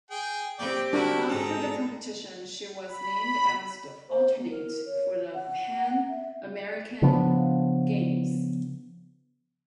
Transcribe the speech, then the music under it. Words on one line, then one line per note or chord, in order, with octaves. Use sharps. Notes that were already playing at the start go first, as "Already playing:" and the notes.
After the competition she was named as the alternate for the Pan American Games.
G#4 G5
C4 G4 D5 G5
D4 E4 F#4 A#4
G#2 G#4 A4 A#5
B5
C5
B3
A#4
C#5
F#5
E5
C#3 F3 B3 D4